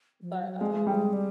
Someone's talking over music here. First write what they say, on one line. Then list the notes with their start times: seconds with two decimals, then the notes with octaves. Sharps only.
but, uh,
0.22 F3
0.35 F#3
0.43 G3
0.48 F#3
0.60 G3 G#3
0.72 A3
0.78 G#3
0.87 G3 A3
0.95 G#3
1.13 G3